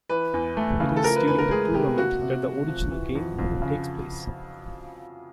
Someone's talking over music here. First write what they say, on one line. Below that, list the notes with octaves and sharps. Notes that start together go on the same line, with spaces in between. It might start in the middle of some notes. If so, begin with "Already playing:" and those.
It is during the tournament that the original game takes place.
E3 B4
E2
A3
C#3
A4
F3 A#4
B4
E2 B4
A#4
G#3 G#4
C3 G4
A#3 F#4
C3
C3
F3
E3
F2
F2
C#3